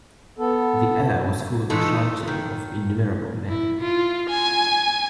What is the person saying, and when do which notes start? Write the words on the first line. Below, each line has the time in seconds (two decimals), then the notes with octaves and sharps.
The air was full of the shouting of innumerable men.
0.38 B3 A4
1.70 E3 G#3 A3 D#4 F4 A4
2.27 D#3
3.49 E4
3.80 F4
4.30 G#5